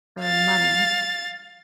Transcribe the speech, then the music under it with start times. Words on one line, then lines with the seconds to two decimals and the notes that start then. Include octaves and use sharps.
or money,
0.21 F5 A6